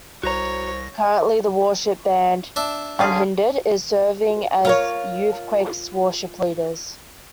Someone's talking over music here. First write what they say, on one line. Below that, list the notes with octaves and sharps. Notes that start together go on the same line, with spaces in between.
Currently, the worship band Unhindered is serving as YouthQuake's worship leaders.
C2 F#4 C5 C#5 A#5 A#6
D4 E5
D3 C#4 F4 G#4 F5
F4 A#4 C#5